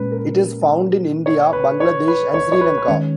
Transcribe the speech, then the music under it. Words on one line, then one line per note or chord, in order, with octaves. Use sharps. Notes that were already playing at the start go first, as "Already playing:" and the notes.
It is found in India, Bangladesh, and Sri Lanka.
Already playing: A#2 G#3 C#4 B4
A#4
B4
C#5
B4
C#5
B4
B4
C#5
C#5
B4
B4
D#3 G#3 C#4 C#5